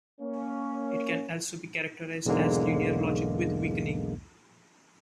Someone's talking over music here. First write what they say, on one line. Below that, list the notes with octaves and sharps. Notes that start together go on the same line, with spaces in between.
It can also be characterized as linear logic with weakening.
A#3 C#4
B1 E2 G#2 D3 G#3 A#3